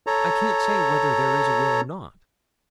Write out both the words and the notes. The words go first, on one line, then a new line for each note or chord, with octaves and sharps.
I can't say whether there is a will or not.
A4 C#5 A#5